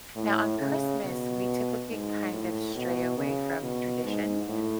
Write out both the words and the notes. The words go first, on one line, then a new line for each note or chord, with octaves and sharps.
Now, on Christmas, we typically kind of stray away from tradition.
A2
C#3
B2
G#2
A2
B2
C#3
B2
G#2
A2